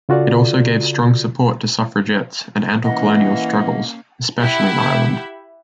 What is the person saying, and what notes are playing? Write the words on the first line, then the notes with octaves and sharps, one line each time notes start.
It also gave strong support to suffragettes and to anticolonial struggles, especially in Ireland.
C#3 F4 F#4 A4 D5
E3 A#3 C#4 D#5 F#5
E4 G4 E5 F#5 B5